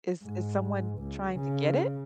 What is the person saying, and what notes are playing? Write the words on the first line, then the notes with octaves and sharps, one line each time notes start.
Is is someone trying to get it?
G#2
C#2
C#3